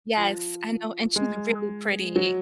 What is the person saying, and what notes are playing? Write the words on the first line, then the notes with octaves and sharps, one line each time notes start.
Yes, I know, and she's really pretty.
F3
G#3
F#3